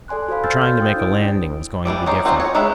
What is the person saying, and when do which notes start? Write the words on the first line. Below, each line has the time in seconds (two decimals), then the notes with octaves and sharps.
But trying to make a landing was going to be different.
0.08 A4 D5 G#5 C6 F#6
0.28 F#4 A4 C5 F5 B5
0.44 C6 E6 F6 G6 A6
0.62 G6
0.79 C5 G5 D#6
0.95 D4 E4 D5 D7
1.85 E3 G3 C4 D5
2.06 C#4 D#4 C5 D5
2.25 F#3 C4 D#4 F4
2.40 C#5
2.55 G#3 D#4 B4 C#5 E5